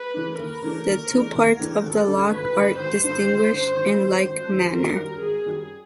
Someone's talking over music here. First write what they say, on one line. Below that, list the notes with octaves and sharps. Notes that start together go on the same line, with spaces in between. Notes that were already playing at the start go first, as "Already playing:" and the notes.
The two parts of the lock are distinguished in like manner.
Already playing: B4
C#3 E3 A3 D4
D#2 A#4
C#3 E3 A3 D4
D#2
C#3 E3 A3 D4
D#2
C#3 E3 A3 D4
G#1 A4
G2 D3
G#1 B4
G2 D3
G#1 C5
G2
D3
G#1
G2 D3
G#1
F#2 D#3 G3
G#1 C5
F#2 D#3 G3
G#1 A#4
F#2 D#3 G3
G#1 G#4
F#2 D#3 G3